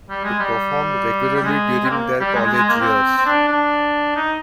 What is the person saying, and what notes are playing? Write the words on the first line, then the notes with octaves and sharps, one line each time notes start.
They performed regularly during their college years.
G3
G#3
G3
G3
G#3
C4
A#3
G3
G#3
G#3
G#3
A#3
C4
C4
D4
D4
D#4